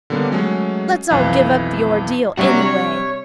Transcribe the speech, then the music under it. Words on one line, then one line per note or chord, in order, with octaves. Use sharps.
Let's all give up the Ordeal, anyway.
D3 G3 A#3 B3 C#4 D4
F#3 G#3 A3 C#4 G#4
B1 F2 E3 F5 F#6
C3 G3 D4 F#4 C#5
C#5